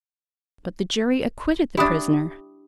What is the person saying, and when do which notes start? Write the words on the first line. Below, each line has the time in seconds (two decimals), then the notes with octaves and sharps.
But the jury acquitted the prisoner.
1.77 D4 E4 G4 G5 D#6